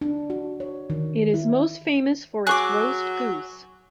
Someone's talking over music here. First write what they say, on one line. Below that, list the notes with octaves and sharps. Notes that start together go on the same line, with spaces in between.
It is most famous for its roast goose.
D4
F#4
C#5
D#3
E4
F#3 G#4 C#6 D6 F#6